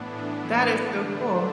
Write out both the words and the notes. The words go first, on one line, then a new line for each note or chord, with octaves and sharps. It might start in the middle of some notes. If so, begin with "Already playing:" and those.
That is so cool.
Already playing: A2 E3 B3 D4
D3 A3 D4